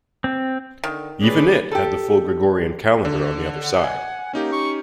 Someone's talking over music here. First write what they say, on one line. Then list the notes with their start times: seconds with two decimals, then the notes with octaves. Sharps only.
Even it had the full Gregorian calendar on the other side.
0.24 C4
0.84 D3 D#3
1.21 C#4 G#4 B4 D5
1.72 G4 A4
3.05 D3
3.59 F#5
3.84 G#5
4.33 A#3 C#4 D#4 G4
4.52 C#6